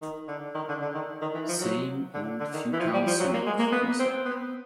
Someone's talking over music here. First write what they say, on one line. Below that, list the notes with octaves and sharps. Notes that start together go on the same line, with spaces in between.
"Same old futile cynic," he said.
D#3
D3
D#3
D3
D3
D#3
D#3
E3
F3
F#3
D3
D3
D#3
E3
F3
G3
F3
F#3
A#3
G#3
A#3
B3
C4
B3